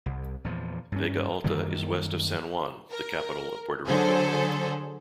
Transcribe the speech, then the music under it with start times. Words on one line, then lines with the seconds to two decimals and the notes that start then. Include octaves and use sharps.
Vega Alta is west of San Juan, the capital of Puerto Rico.
0.06 C2
0.44 E2 A#2 F3
0.92 G2 C#4
1.44 F#2 D#3 G3 A#3
2.91 A#4
3.87 D3 F#3 G#4 A4 C5